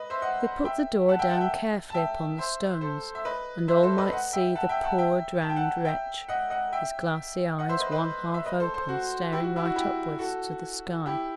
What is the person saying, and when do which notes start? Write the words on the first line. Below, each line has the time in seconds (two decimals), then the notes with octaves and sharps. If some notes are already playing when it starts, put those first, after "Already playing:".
They put the door down carefully upon the stones, and all might see the poor drowned wretch--his glassy eyes, one half-open, staring right upwards to the sky.
Already playing: B4 D#5
0.10 C5 E5
0.22 D#5 F#5
0.65 E5 G5
1.09 F#5 A5
1.19 E5 G5
1.29 F#5 A5
1.41 E5 G5
1.90 A5
1.94 E5 G5
2.38 C5 E5
2.81 A4 C5
3.15 E5
3.25 B4 D#5
3.68 C5 E5
3.83 A4 C5
3.98 B4 D#5
4.12 D#5 F#5
4.33 E5 G5
4.55 F#5 A5
4.69 E5 G5
4.84 F#5 A5
4.98 E5 G5
5.41 A5
5.49 G5
5.56 F#5 A5
5.85 E5 G5
6.29 D#5 F#5
6.50 D#5 F#5
6.73 E5 G5
7.59 D#5 F#5
7.69 C5 E5
7.80 B4 D#5
7.91 B4 D#5
8.34 E5
8.46 B4 D#5
8.60 A4 C5
8.74 A4 C5
8.89 F#4
9.32 E4 G4
9.44 F#4
9.56 E4
9.65 F#4
9.76 E4 G4
10.19 F#4 A4
11.06 E4 G4